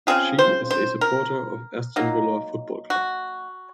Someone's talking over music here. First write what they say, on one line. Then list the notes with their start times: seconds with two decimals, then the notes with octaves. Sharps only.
She is a supporter of Aston Villa football club.
0.07 C#3 F#3 C4 F4 G#4
0.39 C5
0.71 C5
1.01 A#4
1.96 F#3 A#3 D#4
2.90 F#4